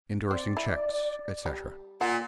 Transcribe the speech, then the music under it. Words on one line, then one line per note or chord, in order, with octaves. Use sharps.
Indorsing Checks, Etc.
C4 D5
E4
G3
A#2 F#5 G#5